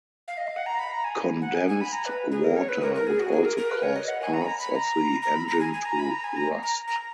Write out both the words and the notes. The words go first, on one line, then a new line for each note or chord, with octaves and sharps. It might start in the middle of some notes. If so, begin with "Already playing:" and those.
Condensed water would also cause parts of the engine to rust.
F5
D#5
F5
F#5
A#5
B5
A#5
G#5
F#5
G#5
G#5
B5
A#5
B4
G#4
A#4
C#5
B4
A#4
A#4
G#4
F#4
G#4
A#4
A#4
B4
C#5
D#5
F#5
G#5
A#5
B5
A#5
B5
B5
A#5
A#5
B5
A#5
G#5
G#5
A#5
B5
A#5
G#5
A#5
A#5
A#5